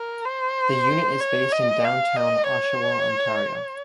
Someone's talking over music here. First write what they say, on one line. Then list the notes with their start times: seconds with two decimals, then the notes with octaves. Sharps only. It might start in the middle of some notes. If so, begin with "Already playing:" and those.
The unit is based in downtown Oshawa, Ontario.
Already playing: A#4
0.25 C5
1.21 C#5
1.52 D#5
1.85 F5
2.16 D#5
2.49 C#5